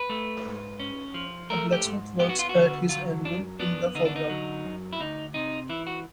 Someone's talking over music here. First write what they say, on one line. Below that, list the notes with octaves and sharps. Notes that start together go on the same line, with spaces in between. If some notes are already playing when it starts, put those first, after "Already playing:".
A blacksmith works at his anvil in the foreground.
Already playing: B4
A3
G#2
C#4
F3
A3 A#4
G4
G#2
B3 G4
F#4
F4
F#4
D3
F#3 F4
F#2 D4
B3 D4
D3 D#4
D4
D#4
F#3
F#2
E4
D2 D#4
C3 D#4
E3 E4
F#4